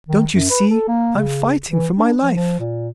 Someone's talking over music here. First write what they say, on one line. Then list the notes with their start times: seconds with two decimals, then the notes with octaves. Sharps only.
Don't you see I'm fighting for my life?
0.09 D#3
0.34 F#2
0.50 B4
0.70 A4
0.88 A#3
1.16 C#3
1.70 E3
1.98 D4
2.22 F3
2.36 F3
2.60 A#2